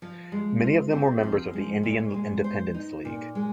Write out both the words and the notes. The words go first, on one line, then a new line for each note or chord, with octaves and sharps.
Many of them were members of the Indian Independence League.
F3
G#3
F4
C4
F3
G#3
A#2
G#3
C5
D#4
A#2
G#3